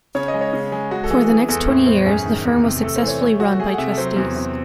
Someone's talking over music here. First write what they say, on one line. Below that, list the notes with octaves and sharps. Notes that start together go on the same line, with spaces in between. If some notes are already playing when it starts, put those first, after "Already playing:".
For the next twenty years the firm was successfully run by trustees.
C#3 C#5
D#5
G#3
C#5
C#3
G#3
G#3 F#4
A4
E3 G#4
E3 G#4
E2 A4
A2 C5
A2 C5
F#2 G#4
D#3
E2
C3
A3 A4
C5
E3
C#5
A3 C#5
A3 F#4
A3 G#4
F#5
C3 E5
A4
F#3 C5
E2
C3